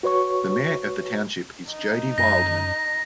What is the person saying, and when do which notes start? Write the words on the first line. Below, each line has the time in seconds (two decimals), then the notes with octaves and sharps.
The mayor of the township is Jody Wildman.
0.03 F#4 B4 C#5 C#6
1.70 D#4
2.18 F#2 A#6